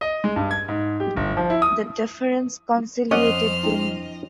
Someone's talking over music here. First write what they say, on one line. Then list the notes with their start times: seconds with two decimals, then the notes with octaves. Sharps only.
The deference conciliated Vinnie.
0.01 D#5
0.24 G#3
0.36 G2
0.51 G#6
0.69 G#2
1.00 G4
1.16 G1
1.37 F3
1.50 E4
1.62 D#6
3.11 F2 C#4 C5 D5 D#5 F#5 F6
3.63 D4 E4